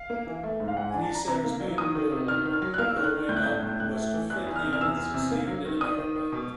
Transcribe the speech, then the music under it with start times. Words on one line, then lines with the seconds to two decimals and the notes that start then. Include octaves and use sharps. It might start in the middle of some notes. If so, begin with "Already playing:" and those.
Neisser's main goal growing up was to fit in and succeed in America.
Already playing: F5
0.10 A#3
0.27 E3
0.43 A3
0.60 G#2
0.68 F5
0.77 G#2 F#5
0.90 D4 G#5
1.02 A5
1.10 D4 A#5
1.27 C3 A#5
1.44 A#3
1.60 F#3
1.78 D#3 D#6
1.95 D#3
2.12 C3
2.28 D#3 F6
2.45 D#3
2.53 F6
2.62 F#3
2.74 F#6
2.78 A#3 F6
2.89 E6
2.96 D#3 F6
3.04 F#6
3.13 D#3
3.29 A2 G6
3.36 F#6
3.43 A2 G6
3.55 G6
3.63 A2
3.69 G6
3.80 A2 F#6
3.96 A3
4.13 E3
4.30 E2 F#6
4.46 E2
4.56 F6
4.64 C3
4.73 F6
4.81 E2 E6
4.97 E2
5.14 C3
5.31 A#3
5.48 F#3
5.65 D#3
5.81 D#3 D#6
5.98 D#3
6.15 D#3
6.32 B2